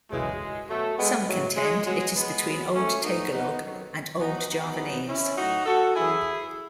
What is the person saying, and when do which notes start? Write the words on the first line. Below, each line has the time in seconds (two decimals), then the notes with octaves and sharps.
Some contend it is between Old Tagalog and Old Javanese.
0.11 F#2 C#3 E3 G#3
0.69 B2 F#3 A3
0.98 G#3 B3
1.28 A2 F#3
1.57 G#3
1.86 B2 F#3 G#3
2.15 G#3 B3
2.45 B2 F#3
2.74 A3 C#4
3.03 A2 E3 B3 D#4
3.32 B3 D#4
3.62 F#2 D#3 F#3
4.20 B2 F#3 B3 D#4
4.49 B3 D#4
4.78 F#2 C#3 E3
5.08 C#4 E4
5.37 A2 F#3 D#4 F#4
5.66 F#4 A4
5.95 F#2 E3 E4 G#4